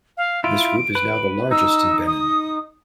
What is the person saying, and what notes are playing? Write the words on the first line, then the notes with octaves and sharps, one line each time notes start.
This group is now the largest in Benin.
F5
E4 F4 D7
B4
D#4 E6
D#6